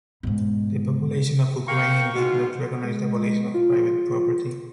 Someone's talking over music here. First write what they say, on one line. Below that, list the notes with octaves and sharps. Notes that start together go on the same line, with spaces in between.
The population of Ukraine did not recognize the abolition of private property.
G#2 B2
A#3 G5 C#6
G#2 B2 F4 F#4
G#3
F4